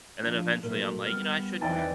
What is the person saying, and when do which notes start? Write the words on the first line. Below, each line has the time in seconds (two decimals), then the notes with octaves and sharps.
and then eventually I'm like, "You know, I should care."
0.23 F3 D4
0.63 A#2 F#3 A3 A#4
1.06 G3 B3 F6
1.61 E2 D#3 E3 C4 D5 E5 G5 A6